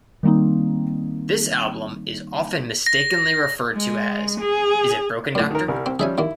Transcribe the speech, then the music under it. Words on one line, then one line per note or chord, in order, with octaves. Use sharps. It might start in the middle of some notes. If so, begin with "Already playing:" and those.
This album is often mistakenly referred to as Is It Broken, Doctor?
D#3 G3 A#3 C4 D#4
A#6
G#3
G#4
F#2 A2
D#3 A#4
C2 G3 A#4
C4
F3 G3 C#4 G#4 E5 G#5
D#2 A#3 E4